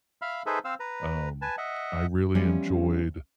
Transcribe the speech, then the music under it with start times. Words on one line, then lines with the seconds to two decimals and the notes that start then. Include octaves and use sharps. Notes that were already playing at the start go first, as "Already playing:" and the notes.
um, I really enjoyed.
0.22 E5 F5 B5 F6
0.46 D#4 G#4 A4 B4 C5 E5
0.65 C4 C5 F5 E6
0.80 B4 A#5
1.42 B4 G#5 A5
1.58 D#5 E5 F#5
2.35 E3 F3 G3 B3 C#4